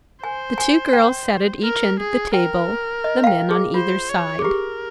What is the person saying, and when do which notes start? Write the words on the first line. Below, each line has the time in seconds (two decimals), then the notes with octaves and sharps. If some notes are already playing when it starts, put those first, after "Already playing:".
The two girls sat at each end of the table, the men on either side.
0.23 C5 G#5
0.58 G#5
0.93 G5
1.64 A#4
1.99 G#4
2.34 A#4 G5
3.04 D#5
3.24 F5
3.27 G5
3.51 G#4
3.74 F4 C5
4.09 C#5
4.39 G#4
4.45 G4 A#4